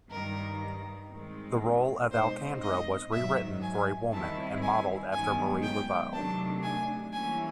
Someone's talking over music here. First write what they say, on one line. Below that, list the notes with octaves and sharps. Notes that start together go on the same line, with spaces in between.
The role of Alcandre was rewritten for a woman and modeled after Marie Laveau.
G2 D#3 G3 A#4
D#3 G#3 C4
B2 G#3 C4 D#4 C5
D#5
G#2 D#3 F#3 E5
G#5
D#3 G3 C4 E4 A5
G#5
F#2 D#3 G#3 B3 G#5
G5
C3 D#3 F#3 A3 D4 A5
G#5
E3 G3 A#3 C#4 E4 G#5